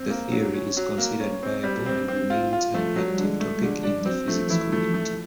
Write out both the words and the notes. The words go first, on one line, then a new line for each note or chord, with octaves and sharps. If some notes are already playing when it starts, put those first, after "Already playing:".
The theory is considered viable and remains an active topic in the physics community.
Already playing: C4
A#3
F#3
C#4
F#3
A#3
C#4
C4
G3
C4
C4
F4
F4
F3 A3
F#3
G3
D3
G#3
A3
D3 G#3
G3 D4
F#3 C4
F3 A3
E3 E4
F3 A3
A3